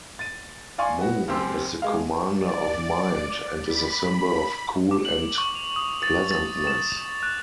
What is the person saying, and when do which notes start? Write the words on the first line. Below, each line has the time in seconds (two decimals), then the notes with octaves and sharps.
Moon is the commander of mind and is a symbol of cool and pleasantness.
0.19 A6 D#7
0.78 D5 F5 G#5 C6 C#6
0.98 B3 F#4
1.28 C#2 F#2 C4 G4 C6 E6
1.82 G#3 F5
2.34 D5
3.63 B5
4.91 D6
5.05 F#7
5.38 C#6
5.55 F7
5.76 D#6
6.03 A6
6.31 A6
6.67 E7
6.90 F7
7.23 F#6